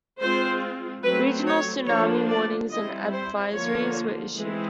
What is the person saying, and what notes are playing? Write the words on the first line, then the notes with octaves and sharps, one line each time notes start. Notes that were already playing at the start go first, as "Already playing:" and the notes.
Regional tsunami warnings and advisories were issued.
G#3 C4 F4 C5
F#3 A3 C4 B4
C#5
D3 F3 A#3 D4 C#5
D5
G3 C4 E4 D#5
C5
D3 F3 A#3 C#5
E3 G#3 C4 E4